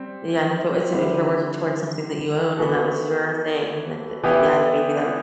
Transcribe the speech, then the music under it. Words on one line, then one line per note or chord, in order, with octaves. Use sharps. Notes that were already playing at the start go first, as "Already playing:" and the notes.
Yeah. If it was if you're working towards something that you owned and that was your thing, then then then, yeah, then maybe that would
Already playing: G3 C4
D3 G3 C4 E4
E3 B3 F#4 A4
E3 B3 E4 G4